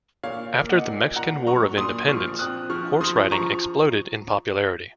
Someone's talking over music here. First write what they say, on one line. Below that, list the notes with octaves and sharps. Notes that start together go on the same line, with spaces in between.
After the Mexican War of Independence, horse riding exploded in popularity.
A#2 C#5 F5
A#3
D#5 F#5
A#2
A#2 F#5 A#5
F#3 A#5 C#6
A#2 C6 D#6
F3 C#6 F6
C4 D#6 F#6
F3 C#6 F6
F3 C6 D#6
F3 A#5 C#6